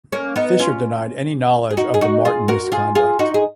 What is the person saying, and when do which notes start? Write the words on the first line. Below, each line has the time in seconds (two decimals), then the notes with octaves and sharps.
Fisher denied any knowledge of the Martin misconduct.
0.12 A#3 C#4
0.36 B3 D#4
0.59 C#4 F4
1.70 G#4
1.77 D#4 F#4
1.94 G#4
2.01 D#4 F#4
2.25 F4 G#4
2.48 F#4 A#4
2.72 F4 G#4
2.95 F4 G#4
3.19 D#4 F#4
3.34 G#4